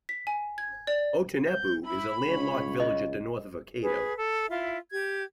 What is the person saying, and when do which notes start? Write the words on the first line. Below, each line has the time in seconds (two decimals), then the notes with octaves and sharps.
Otoineppu is a landlocked village at the north of Hokkaido.
0.09 B6
0.27 G#5
0.58 G#6
0.87 D5
1.46 G6
1.85 E4 B5
2.27 C#2 C#5
2.80 D#5
3.81 G#4 B4
4.17 A4
4.49 E4 F4 E5
4.91 G4 G#6